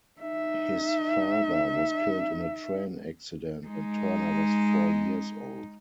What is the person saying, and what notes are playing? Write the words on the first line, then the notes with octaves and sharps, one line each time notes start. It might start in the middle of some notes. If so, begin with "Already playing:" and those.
His father was killed in a train accident when Turner was four years old.
D#4 E5
G#3 D#4